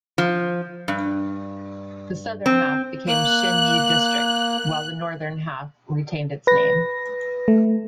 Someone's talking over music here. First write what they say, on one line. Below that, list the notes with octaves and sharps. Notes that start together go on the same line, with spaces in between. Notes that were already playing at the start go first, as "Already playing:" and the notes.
The southern half became Xinyi District while the northern half retained its name.
F3
G2
C4
A#3 F#6
B4 A#6
A3